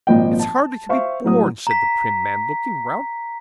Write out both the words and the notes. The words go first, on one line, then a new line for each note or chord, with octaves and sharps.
'It's hardly to be borne,' said the prim man, looking round.
G#1 A#2 F3 D#5 G5
A5
C5 E5 F5 C#6
A2 F#3 D#6
A#5 B6